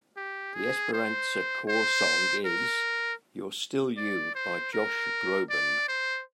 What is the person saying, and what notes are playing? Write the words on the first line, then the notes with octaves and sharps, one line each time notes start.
The Esperanza Corps Song is "You're Still You" by Josh Groban.
G4
G#4
C5
C5
A#4
D5
C5
A#4
D5
C5